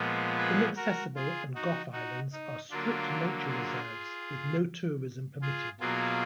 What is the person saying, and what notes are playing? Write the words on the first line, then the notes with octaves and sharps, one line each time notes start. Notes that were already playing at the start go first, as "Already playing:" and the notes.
Inaccessible and Gough Islands are strict nature reserves with no tourism permitted.
Already playing: A#2 F3 G#3 B3
G#4 B4
F#4 A#4
F4 G#4
D#4 F#4
D#4 F#4
D#4
D3 F#3 A#3 D4 F4
F4 G#4
F4 G#4
B2 F#3 A#3 F4 G#4